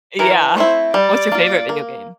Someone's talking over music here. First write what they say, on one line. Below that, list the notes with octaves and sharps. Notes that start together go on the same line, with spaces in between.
Yeah. What's your favorite video game?
E3 A#4
A3 C4 E4 C5
G3 D5
A#3 F4
A#3